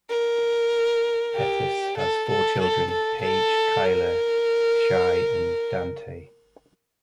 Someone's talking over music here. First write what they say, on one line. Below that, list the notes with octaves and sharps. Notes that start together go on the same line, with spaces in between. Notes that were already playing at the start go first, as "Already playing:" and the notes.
Pettis has four children, Paige, Kyler, Shaye, and Dante.
A#4
G4
A4
A4
A4
A4
A4
A#4